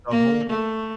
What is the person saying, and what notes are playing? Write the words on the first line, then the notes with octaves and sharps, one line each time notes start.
the whole
A#3
A3